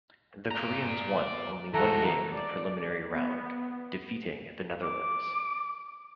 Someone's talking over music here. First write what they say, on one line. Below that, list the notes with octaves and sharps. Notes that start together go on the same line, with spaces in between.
The Koreans won only one game in the preliminary round, defeating the Netherlands.
D5 A#5
E3 F#4 A4 A#5
D5
B3
D6